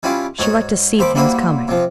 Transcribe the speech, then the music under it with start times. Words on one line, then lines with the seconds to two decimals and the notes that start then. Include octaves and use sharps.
She liked to see things coming.
0.03 G3 C#4 E4 F4 G4
0.39 G#2 F#4 C#5 C#6
0.99 D#2 C5 B5 D6
1.15 G3 A#3 E4 F#4 C5 C#5
1.68 C3 F3